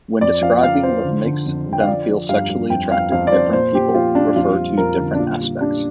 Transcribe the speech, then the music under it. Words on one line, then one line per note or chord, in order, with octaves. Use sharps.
When describing what makes them feel sexually attracted, different people refer to different aspects.
F2 D5
F3 F5
F3 F5
F3 C5
D3
D3
F2
D3
G5
F5
F3 D5
F3
G2 F5
G2
F2 G5
F2 F5
F2 F5
D5
F2 C5
A#2 C5
A#2 G4
F3 F4
A#2 D4
F2 F4
G3
F2 A#4
D3
D4
A#2 F4
G3
G3 D4